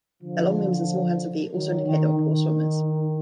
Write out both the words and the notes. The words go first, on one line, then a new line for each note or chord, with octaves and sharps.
Their long limbs and small hands and feet also indicate they were poor swimmers.
D3 F3
D#3 F#3
D#3
D#3